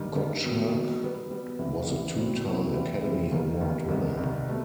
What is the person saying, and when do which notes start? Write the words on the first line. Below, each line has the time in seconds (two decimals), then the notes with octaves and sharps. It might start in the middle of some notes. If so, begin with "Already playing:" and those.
Gottschalk was a two time Academy Award winner.
Already playing: G2 D#3 G3
0.15 G2 D#3 G3
0.44 E2 D#3 F#3
0.72 E2 D#3 F#3
1.02 B2 G3 B3
1.30 B2 G3 B3
1.59 C2 C3 E3
1.88 C2 C3 E3
2.16 C2 B2 F#3 C4 E4
2.45 C2 B2 F#3 C4 E4
2.74 C3 E3 G3 C4
3.02 C3 E3 G3 C4
3.31 D#2 D#3 G3
3.60 D#2 D#3 G3
3.89 C2 C3 D#3
4.18 C2 C3 D#3
4.48 B2 A3